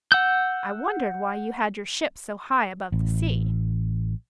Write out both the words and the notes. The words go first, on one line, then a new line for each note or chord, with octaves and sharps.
"I wondered why you had your ship so high above the sea."
F#5 E6 G6
A1